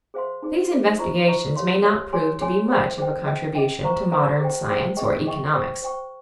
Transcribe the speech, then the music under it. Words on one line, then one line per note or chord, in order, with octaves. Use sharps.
These investigations may not prove to be much of a contribution to modern science or economics.
G#4 C5 F5 C6
D#4 G#4 C5
D#4 G#4 C5
F4 C5 D#5 A#5 C#6
F4 C5 D#5 A#5 C#6
G4 C#5 F5 C6
G4 C#5 F5 C6
G#4 C#5 G#5 C6
G#4 C#5 G#5 C6
G#4 C5 G5
G#4 C5 G5
G#4 D#5 G5
G#4 D#5 G5
C5 F5 A#5 C#6
C5 F5 A#5 C#6
G#4 C5 G5
G#4 C5 G5
G#4 D#5 G5 C#6
G#4 D#5 G5 C#6
C5 G5 C#6
C5 G5 C#6